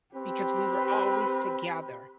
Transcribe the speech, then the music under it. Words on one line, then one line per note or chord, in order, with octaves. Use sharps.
because we were always together.
C4 G4 B4